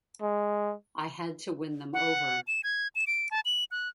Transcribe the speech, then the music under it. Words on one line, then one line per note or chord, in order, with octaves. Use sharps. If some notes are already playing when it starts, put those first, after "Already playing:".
I had to win them over.
G#3
F#5
E7
G#6
E7
D7
A5
F#7
F#6